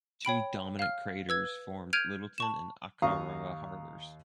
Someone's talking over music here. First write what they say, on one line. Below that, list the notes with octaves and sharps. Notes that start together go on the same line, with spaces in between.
Two dominant craters formed Lyttelton and Akaroa Harbours.
C#5 G5 B5 D7
F5 F6
B4 E6 G#6
F6 G6 G#6 D7 D#7 F7
A5 C#6 E7
D#2 F5 A#5 C#6 D#6